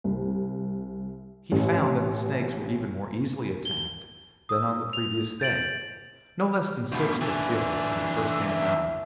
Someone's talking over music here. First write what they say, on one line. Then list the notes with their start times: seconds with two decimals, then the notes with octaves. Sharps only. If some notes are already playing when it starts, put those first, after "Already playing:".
He found that the snakes were even more easily attacked than on the previous day; no less than six were killed in the first half-hour.
0.04 C2
1.52 A1
3.65 G7
4.49 D#6 E6
4.93 F7
5.40 G6 A6 D7 F#7
6.92 D2 B2
7.21 E3 D4 G#5
8.25 E5